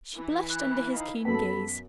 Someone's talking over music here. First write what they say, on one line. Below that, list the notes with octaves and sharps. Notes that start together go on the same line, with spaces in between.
She blushed under his keen gaze.
E3 E4
F#6
D#4 F5 B5
F#2 B3 A4 B5 B6